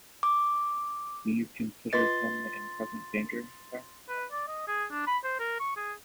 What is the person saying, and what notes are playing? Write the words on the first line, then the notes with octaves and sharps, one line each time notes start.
Do you consider him in present danger, sir?
D6
F4 B4 D#5 C6 A6
B4
D5
D#5
G#4
D4
B5
C5
A#4
C#6
G#4